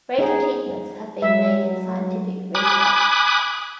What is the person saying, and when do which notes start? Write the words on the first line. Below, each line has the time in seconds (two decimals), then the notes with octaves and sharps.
Great achievements have been made in scientific research.
0.19 D#4 G#4
1.22 F#3 E5
2.55 G#5 B5 D6 D#6 F#6